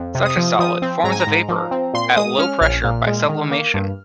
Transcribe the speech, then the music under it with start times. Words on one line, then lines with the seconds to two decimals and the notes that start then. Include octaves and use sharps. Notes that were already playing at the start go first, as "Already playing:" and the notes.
Such a solid forms a vapor at low pressure by sublimation.
Already playing: F2
0.15 C3
0.25 D#6
0.37 F3
0.59 F3 D#6
0.82 C4
1.04 G#2 A#5
1.12 G#5
1.20 A#5
1.27 G#2
1.49 F3
1.71 C4
1.94 A#2 C6
2.17 G#3 D#6
2.39 C#4 F6
2.61 A#1 F6
2.84 A#2
3.07 G#3
3.28 D#3
3.51 A#3
3.74 G2